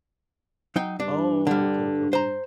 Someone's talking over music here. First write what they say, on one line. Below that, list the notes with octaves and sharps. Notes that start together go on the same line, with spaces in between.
Oh, okay, okay, okay.
F#3 D#4 G5
G2 D4
D3 G3
C5 A#5